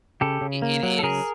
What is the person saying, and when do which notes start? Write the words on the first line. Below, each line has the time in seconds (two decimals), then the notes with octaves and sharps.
I it is?
0.21 C#3 G4 A4
0.41 C#3
0.62 A#3
0.83 F#3
0.99 A4
1.03 C#3 G#4 A#4